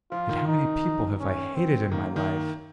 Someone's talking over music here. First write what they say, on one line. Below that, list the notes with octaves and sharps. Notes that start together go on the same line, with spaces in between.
Yet how many people have I hated in my life?
F3 F4
D#3
D#4
C#4
C4
D#3 A#3
D#3